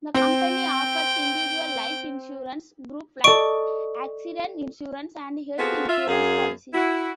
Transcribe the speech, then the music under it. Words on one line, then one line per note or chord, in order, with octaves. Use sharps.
The company offers individual life insurance, group life, accident insurance, and health insurance policies.
C4 G5
A4 D5 D#5 C#6 D7
B3 C4 F4 F#4 G#4 A4
F4 E5
F#2 G#4 F5
E4 F#4